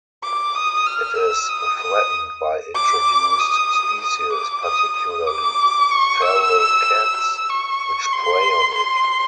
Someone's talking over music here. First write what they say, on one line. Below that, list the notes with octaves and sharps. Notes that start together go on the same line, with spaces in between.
It is threatened by introduced species, particularly feral cats, which prey on it.
D6
D#6
F6
E6
D#6
D#6
D6
D#6
D#6
D6
D#6
D#6
D6
C#6
E6
E6
C#6
C6
C6